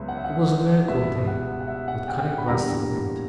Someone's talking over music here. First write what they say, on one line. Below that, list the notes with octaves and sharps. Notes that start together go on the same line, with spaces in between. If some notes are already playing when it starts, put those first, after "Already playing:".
It was a very cold day, with cutting blasts of wind.
Already playing: C#2 C#3 F#3 B3 E5
F#5
E5
F#5
C#2 B2 G3 B3 E5
F#5
F#5
E5
F#5
G5
G5
F#5
B5
E2 D3 G3 A#3 A#5